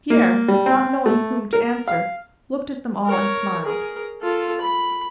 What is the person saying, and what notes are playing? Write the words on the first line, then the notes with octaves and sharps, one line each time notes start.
Pierre, not knowing whom to answer, looked at them all and smiled.
A#3
G3
C4
A3
A#4
F5
A#4 C#5
G#4 A#4
F4 A4
B5